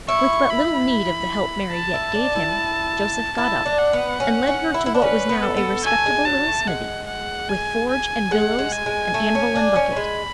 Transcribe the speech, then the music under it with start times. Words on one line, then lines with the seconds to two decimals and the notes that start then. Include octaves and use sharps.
With but little need of the help Mary yet gave him, Joseph got up, and led her to what was now a respectable little smithy, with forge and bellows and anvil and bucket.
0.08 E4 C#6
0.50 B5
1.73 A5
1.94 E4
2.15 D4
2.35 E4
3.37 E4 A5
3.66 D4
3.79 F#5
3.93 B3
4.20 C#4
4.47 C#4
4.74 E4
4.86 E4
4.95 D4
5.02 C#4 B4
5.29 B3
5.43 A4
5.57 B3
5.84 A3 G#5
6.06 G#3
6.26 F#3 A5
6.47 A3
6.67 G#3 F#5
7.08 F#5
7.49 G#5
7.90 G#5
8.31 G#3 F#5
8.59 G#3
8.72 G#5
8.86 G#3
9.14 A3
9.35 C#4
9.56 D4
9.76 C#4
9.96 G#3 B5